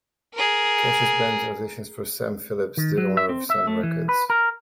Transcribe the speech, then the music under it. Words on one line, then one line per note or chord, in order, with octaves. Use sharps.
Cash's band auditions for Sam Phillips, the owner of Sun Records.
G#4 A#4
D#3
F#3
E5
C4
E5
A3
E3
B4
A#4